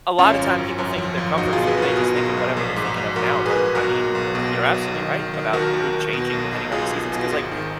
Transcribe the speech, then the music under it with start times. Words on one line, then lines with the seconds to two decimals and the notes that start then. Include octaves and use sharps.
a lotta time people think of their comfort food and they just think of whatever they're thinking of now. But, I mean, you're absolutely right about food changing depending on the seasons. 'Cause, like,
0.18 G#1 C#4 F4
0.39 F#2
0.58 G#1
0.78 F#2
0.98 F3
1.18 G#1
1.37 B1 D#4 F#4
1.53 B2 F4 G#4
1.67 G#4 B4
1.77 B1 F#4 A#4
1.97 B2
2.17 B1
2.37 B1
2.57 A#1
2.76 G#2
2.96 A#1
3.16 A#1 F#4 A#4
3.35 G#2
3.46 G#4 B4
3.56 G#2
3.75 B1 F#4 A#4
3.95 B1
4.15 B1
4.35 B2
4.55 B2
4.74 B1
4.94 D#3
5.14 D#3
5.34 D#3
5.53 D#2 F#4 A#4
5.73 D#2
5.93 D#2
6.13 B2
6.33 B1
6.53 B1
6.72 B1 F4 G#4
6.92 B1
7.12 B2
7.32 G#1
7.51 D#3